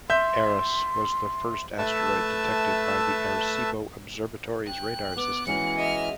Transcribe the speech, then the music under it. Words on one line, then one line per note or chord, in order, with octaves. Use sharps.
Eros was the first asteroid detected by the Arecibo Observatory's radar system.
E5 C6 G6
A3 B4 E5 A5 E6
G5 F#6
B3 D6
E3 G#3 C#4 F#4 C#7
D#5 E5 F6